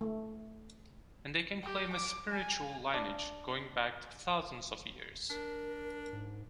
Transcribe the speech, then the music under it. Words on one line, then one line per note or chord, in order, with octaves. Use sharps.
And they can claim a "spiritual" lineage going back thousands of years.
A3
G4
D6
G#5
D4
D4 A#4
G#2